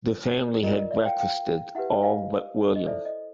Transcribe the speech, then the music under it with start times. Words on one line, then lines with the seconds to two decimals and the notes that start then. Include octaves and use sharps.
The family had breakfasted, all but William.
0.63 F4 A#4 D5 D#5
0.78 D#5
0.91 D5 E5
1.06 F5 G5
1.19 F5 G5
1.75 E4 G4 B4 E5 F#5
2.03 D#5 F5
2.76 D#5
2.87 E4 A4 C5 D5 E5
3.05 D#5